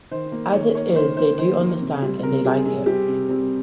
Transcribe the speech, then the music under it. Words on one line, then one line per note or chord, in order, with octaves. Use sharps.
As it is, they do understand, and they like it.
D#3 C5
A#3
D#3 C#5
A#3 C#5
D#3 C5
A#3 C5
D#3 C5
A#3
C3
G3 C4
C3 A#4
G3 C4 G#4
C3 G#4
G3 C4 G4
C3
G3 C4